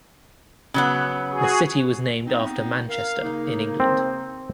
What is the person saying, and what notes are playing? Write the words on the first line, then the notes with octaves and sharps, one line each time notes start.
The city was named after Manchester, in England.
C#3 F#3 B3
F#4 G#4
B3 C4 D#4
A#4 F5
C#3 A#3 D#4
C4